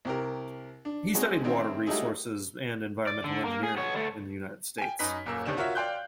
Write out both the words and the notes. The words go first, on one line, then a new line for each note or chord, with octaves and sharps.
He studied Water Resources and Environmental Engineering in the United States.
C2 G4 A#4
D4
F#3 G#3 C4 F#4
D#3 C4 C#4 E4
F#3 G3 A3 D#4 E4 G#4
D5
D3
A#3
G#4
B3 C#5
D3 A3
G5 G#5
F#2 D#4 B4 B6
D#1 F#2 A#3 E6
D#2 C3 D#3 D4 E7
F4 F#4 A#4 C#5 E5
D5 F5 G5 C6 F#6 G6